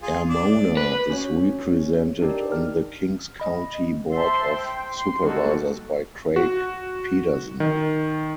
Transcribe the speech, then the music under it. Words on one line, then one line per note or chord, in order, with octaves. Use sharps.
Armona is represented on the Kings County Board of Supervisors by Craig Pedersen.
F4 G#4
D4 D5
B4
C#4 F#4 C#5
D4 D#4 G4 A#4 D5
F6
D#5 B5
C5 E5 A5 C6
G5
C6
G3 A#3 D#4 F#4 A4
F#4
D#3